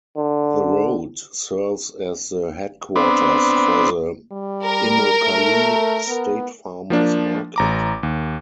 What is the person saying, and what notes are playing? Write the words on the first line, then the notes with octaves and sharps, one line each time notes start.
The road serves as the headquarters for the Immokalee State Farmer's Market.
D3
B3 C4 D4
G3
A#4
A3
B3
F3 A#3 D4
A1 A#5 D6
D#2